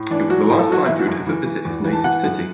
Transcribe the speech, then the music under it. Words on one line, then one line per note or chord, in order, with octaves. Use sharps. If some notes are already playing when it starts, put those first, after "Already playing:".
It was the last time he would ever visit his native city.
Already playing: A2
E3 D4
F#3 F#4
A2
A4
F#3 F#4
E3 E4
F#4
F#2
E3
E3
E2
E3
A5
E3 F#5
F#2